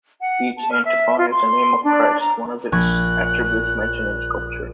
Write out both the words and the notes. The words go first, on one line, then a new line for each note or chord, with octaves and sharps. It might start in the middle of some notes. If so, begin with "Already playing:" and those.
Each antiphon is a name of Christ, one of his attributes mentioned in Scripture.
F#5
A5
F6
E5
F4
C6
D4
A#5
A#1 C#6 F#6 G#6